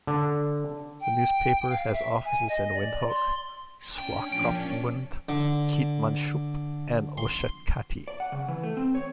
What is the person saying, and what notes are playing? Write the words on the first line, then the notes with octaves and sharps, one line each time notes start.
The newspaper has offices in Windhoek, Swakopmund, Keetmanshoop and Oshakati.
D3
G5
F5
E5
G#5
D#5
D5
C6
C#4 D4 G5
A#2 F3 D4 D7
D3
C6
D5
F#5
C#3
E3
A3
C4
C#5